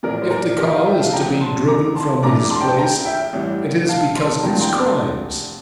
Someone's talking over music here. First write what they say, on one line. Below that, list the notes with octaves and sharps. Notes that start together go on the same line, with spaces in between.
"If Tikal is to be driven from his place, it is because of his crimes."
A#1 A2 E3 A#4 D5
C5
A#4 D5
G4 A#4
D5 F5
E5 G5
F5 A5
F1 F2 D3 F3 G5 A#5
A5 C6
A#5 D6
A5 C6
A#1 A#2 A3 D4 A#5 D6
D6
A5 C6
G5
A5
G5 A#5
E5 G5
A1 G2 E3
F5 A5
A5 C6
A5
F1 E2 E3 A#3 D4 G5 A#5
C6
G5 A#5
A5 C6